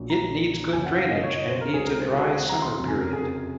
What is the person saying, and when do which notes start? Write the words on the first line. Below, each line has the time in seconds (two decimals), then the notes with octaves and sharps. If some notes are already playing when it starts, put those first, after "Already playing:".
It needs good drainage, and needs a dry summer period.
Already playing: A#1 A#2 F#3
0.10 A#5
0.73 F#1 F#2 F3 G#5
0.86 F#5
0.99 F5
1.11 D#5
1.23 C#5
1.36 D#5
1.49 C5
1.61 A#4
1.74 C#2 C3 D#3 F#3 G#4
1.87 A#4
2.00 C5
2.12 F#4
2.24 G#4
2.38 F#5
2.49 A#5
2.62 C6
2.75 F#1 F2 C3 F#3
2.88 G#5
3.01 A#4
3.13 G#4